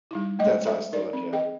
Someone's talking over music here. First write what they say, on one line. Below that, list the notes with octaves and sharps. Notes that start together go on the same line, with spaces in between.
that's how I still look at it.
G3 D#4 E4
G#3 A3 D#5
A4 E5
D#4 A#4 D5
C4
G#4 D#5 G5